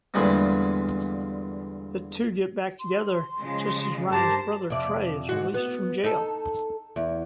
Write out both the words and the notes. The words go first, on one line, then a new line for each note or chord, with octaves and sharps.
The two get back together, just as Ryan's brother Trey is released from jail.
E2 A#2 D3 G3 G#3 B3
C6
C#3 F3 G#3
G2 G4 A#4 C5 A5
F2 C3 D5
G#2 F#4
B3
D#4 A4
E2